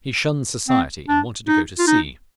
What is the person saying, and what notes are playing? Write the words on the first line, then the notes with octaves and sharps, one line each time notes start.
He shunned society and wanted to go to sea.
C4
D4
D#4
F4
D#4